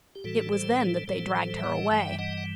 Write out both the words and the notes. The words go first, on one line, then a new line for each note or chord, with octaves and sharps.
It was then that they dragged her away.
G4
A2 E3 G3 F#4 A4
A4 C5
B4
A4 C5
A2 E3 G3 A4 C5
A4 C5
E5
D#5 F#5
G2 E3 G3 E5 G5
D#5 F#5
F#5